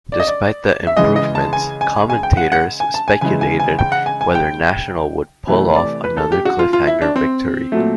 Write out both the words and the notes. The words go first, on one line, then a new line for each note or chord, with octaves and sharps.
Despite the improvements, commentators speculated whether National would pull off another cliffhanger victory.
D5
D#5
D5
E5
C#3 E3 G#3 D#5
D#5
A5
G#5
G#5
G#5
G5
F#5
F#5
G#5
A5
G#5
C#3 E3 G#3 G#5
G#5
G#5
G5
F#5
G#5
G#5
G5
C3 E3 A3
D5
B4
A4
G4
F#4
F4
F4
E4
D4
C4
A#2 F#3 A3